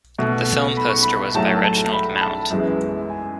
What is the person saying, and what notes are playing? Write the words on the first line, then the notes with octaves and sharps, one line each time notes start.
The film poster was by Reginald Mount.
B2 A3
B5
C#6
B5
A2 F#3 A3 A5
A5
B5
B5
A5
F#2 E3 G#3 B3
G#5